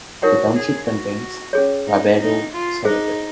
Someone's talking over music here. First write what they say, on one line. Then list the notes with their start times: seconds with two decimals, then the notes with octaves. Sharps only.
The township contains Wabedo Cemetery.
0.22 D#4 F#4 A#4 C#5 F#5
0.55 G#4
0.88 F#4
1.53 C#4 G#4 C#5
1.86 D#4
2.19 D#4
2.53 F4
2.85 D#4 G#4 C5 F5